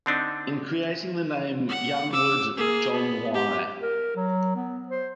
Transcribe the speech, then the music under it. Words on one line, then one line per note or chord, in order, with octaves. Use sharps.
In creating the name Youngwood, John Y.
D3 C4 D4 D#4
F#5
D6 E6
A#3 G#4
B3
G4
A#4
F#3
B3
C5